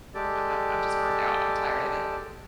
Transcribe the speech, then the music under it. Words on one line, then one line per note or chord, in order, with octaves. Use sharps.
I I'm just burned out. I'm tired of it."
G#3 G4 A4 D5